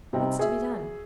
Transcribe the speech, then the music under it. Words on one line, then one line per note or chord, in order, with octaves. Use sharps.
What's to be done?
C3 G3 C4 D#4
F#4 G#4 E5